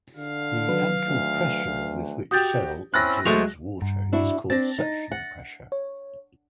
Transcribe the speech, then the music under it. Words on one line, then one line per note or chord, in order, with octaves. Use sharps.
The actual pressure with which cell absorbs water is called "suction pressure".
D3 F5
D#3 F#3 B4
D2
D2
F#4 G4 D#6 G6 A6
C4 C#4 E4 F6 F#6 A6 A#6
F#3 G#3 A3 C5 C#6 F7
G2
D4 E4 F#4
C4 D4 A6 A#6
D#4
F#5
C#5